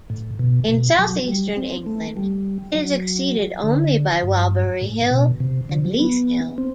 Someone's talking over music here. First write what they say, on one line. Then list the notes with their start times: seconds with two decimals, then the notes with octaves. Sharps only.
In southeastern England it is exceeded only by Walbury Hill and Leith Hill.
0.10 A2
0.39 B2
0.69 B2
0.99 F#3
1.28 G3
1.57 C4
1.86 A3
2.17 G3
2.75 F#3
3.63 D3
4.23 G2
4.81 A2
5.11 B2
5.40 C3
5.69 D3
5.85 F#3
5.99 B3
6.58 C4